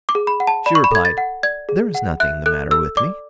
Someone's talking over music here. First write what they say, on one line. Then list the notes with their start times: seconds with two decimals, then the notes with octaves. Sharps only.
She replied: "There is nothing the matter with me."
0.09 D6
0.15 G#4
0.27 B5
0.40 F#5
0.47 A5
0.66 D5 B5
0.75 C#6
0.84 B5
0.92 A4 G#6
1.05 A6
1.18 F#5
1.43 D5 G#6
1.69 G#4
1.95 F#5
2.20 E5 F#6
2.46 A4 F#6
2.71 A4 E6
2.97 D5 D6